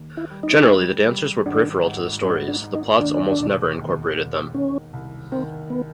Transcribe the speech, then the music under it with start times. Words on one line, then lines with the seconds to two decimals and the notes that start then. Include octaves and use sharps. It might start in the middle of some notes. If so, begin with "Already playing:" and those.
Generally, the dancers were peripheral to the stories; the plots almost never incorporated them.
Already playing: D#2
0.17 E4
0.30 G3
0.43 D#4
0.69 G3
1.07 G3
1.46 G#1 D4
1.84 G#2
2.23 G#2 C#4
2.48 D4
2.62 G#2
2.75 D#4
3.00 D#2 D4
3.39 E1
3.77 D#2
4.16 E1
4.54 D#3 C#4
4.93 C2
5.32 D#3 C4
5.70 B3